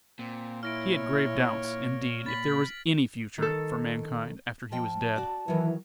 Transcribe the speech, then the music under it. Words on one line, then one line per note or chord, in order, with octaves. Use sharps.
He had grave doubts, indeed, if there was any future for mankind after he was dead.
A#2 C4
E4 C#5 F6 A#6 D7
B5 A6 B6 F#7
D#3 A4
F3 D#5 G5 A5
F#4 D5
D#3 E3 F#3